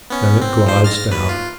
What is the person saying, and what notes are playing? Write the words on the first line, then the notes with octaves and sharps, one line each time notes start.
Then it glides down.
B3 C#4
C4
F3 C5
F6 A6 A#6
D#2 B4
F4